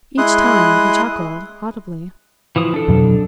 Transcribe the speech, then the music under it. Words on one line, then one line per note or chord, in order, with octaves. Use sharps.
Each time he chuckled audibly.
G#3 E4 C6 D#6 F#6
E3 F3 D#6
D4 A4
F2 B2 F#3